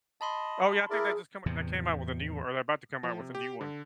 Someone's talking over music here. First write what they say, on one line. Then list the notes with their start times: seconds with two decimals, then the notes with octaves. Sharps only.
Oh, yeah, I think they just come i they came out with a new o or they're about to come out with a new one.
0.21 D#5 A5 B5 C6
0.90 E4 G#4 A#4 D5
1.46 E2 A2 C3
3.03 F3
3.20 C3
3.35 G4
3.61 D3